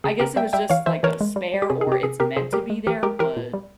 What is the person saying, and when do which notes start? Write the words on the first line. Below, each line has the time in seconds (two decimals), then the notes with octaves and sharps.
I guess it was just, like, a spare or it's meant to be there, but
0.04 C#3 G#4
0.20 C#3 G4 A#4
0.36 G3 E5 G5
0.53 G3 E5 G5
0.70 E3 C#5 F5
0.86 E3 C5 E5
1.03 E3 A#4 C#5
1.21 G#3
1.36 G3
1.54 G3
1.62 G4
1.70 C3 G#4
1.81 G#4
1.87 C3 G4
2.03 C3 G#4
2.20 C3 G4 A#4
2.36 C3 G#4 C5
2.52 G3 G4 A#4
2.70 G#3
2.87 E3 G4 A#4
3.03 G#3 G4 A#4
3.19 E3 G4 A#4
3.37 A#2
3.54 G3